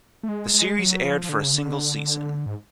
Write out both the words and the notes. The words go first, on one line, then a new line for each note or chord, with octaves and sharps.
The series aired for a single season.
A3
G#3
G#3
F#3
F3
F3
D3
C#3
D3
G#2